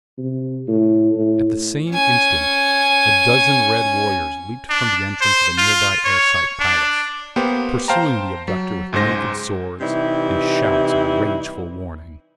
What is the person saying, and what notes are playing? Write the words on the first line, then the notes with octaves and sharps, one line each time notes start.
At the same instant a dozen red warriors leaped from the entrance of a nearby ersite palace, pursuing the abductor with naked swords and shouts of rageful warning.
C3
A2
A2
C#4 G#5
D4
C5
F4
C#5
D4
A#3 B3 G4 C5
C5 F5 G5 A5 A#5
F#3
C#2 G#2 G#3 C5 A#6
C3 E3 G3 D#4 E4